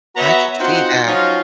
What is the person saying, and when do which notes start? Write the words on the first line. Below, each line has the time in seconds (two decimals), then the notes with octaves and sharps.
I could see that.
0.16 B3 F#4 B4 C#5 E5 A#5
0.59 C4 D#4 F4 F#4 C5 F#5
1.06 F3 F#3 C#4 D#4 F4